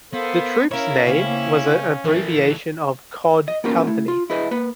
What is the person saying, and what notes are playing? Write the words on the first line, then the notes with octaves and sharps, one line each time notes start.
The troupe's name was an abbreviation of "Cod Company".
B3 A4 A#4 C5 F5
C#4 E4 A#4 C#5 F5
C#3 A#3 C4 C#4
E3 A3 A#4
D#5
A#3 B3 C#4 F4 G4 A#4
A3 E4
F4
E4 G#4 B4 D#5
A#3 B4